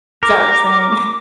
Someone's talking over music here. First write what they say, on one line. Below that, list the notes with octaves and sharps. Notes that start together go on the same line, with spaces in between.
Is that what you're saying?
A#4 D6